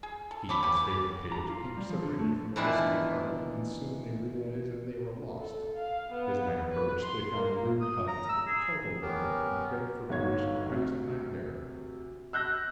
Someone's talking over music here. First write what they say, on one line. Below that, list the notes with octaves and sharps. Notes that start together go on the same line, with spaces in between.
He and his favorite page became separated from the rest of the party and soon they realized that they were lost. As night approached they found the rude hut of a charcoal burner and begged for permission to pass the night there.
G#4
A4
D4 C#5 B5 D6
C#3 B3 G4
A#5
F4
F4
G3
F3
D3
A3
B2 D#3 E3 D4 E4 F4
A4
F5
B3
B4
C6
A#3
D#6
A#5
E6
G#4
B3 C#4 G4 A#4
G1 D#4 F#4 C#5 G#6
D2 C3
E6 F#6 G6 A#6